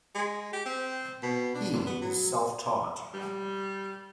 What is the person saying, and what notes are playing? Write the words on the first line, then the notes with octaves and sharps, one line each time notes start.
He is self-taught.
G#3
G4
C4
B2
D4
B3
F#3
G3